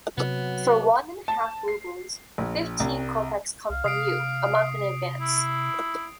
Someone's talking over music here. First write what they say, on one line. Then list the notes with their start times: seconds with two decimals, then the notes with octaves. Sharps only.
For one and a half rubles, fifteen kopecks come from you, a month in advance.
0.18 C3 F#3 B3
1.28 A5
1.68 C7
2.38 A#1
2.80 C2
3.70 C2 F5
3.84 C3 D#6 C7 D7
5.21 E4